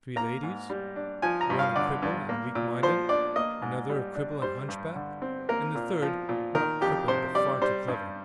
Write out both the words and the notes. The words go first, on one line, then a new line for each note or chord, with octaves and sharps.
Three ladies, one a cripple and weak-minded, another a cripple and hunchback and the third not crippled but far too clever.
A#3 A#5
G#2
G3
D4
F3 G#5
A#5
G2
F5
D3 D5
G2
A#3
A#2
F3 C5
D4 D5
A#3 D#5
G#2
G3
D4
G3 C5
G2
D3
C4
A#3 A#4
A#2
F3
A#2
D#3 A#4
F2 G4
C3 C5
G3 D5
G3 C5
G2